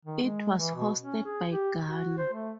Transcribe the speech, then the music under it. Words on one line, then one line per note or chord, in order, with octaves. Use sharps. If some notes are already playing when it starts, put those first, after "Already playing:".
It was hosted by Ghana.
D#3
G#3
E3
B2
C#4
G#4
G4
F#4
C5
A3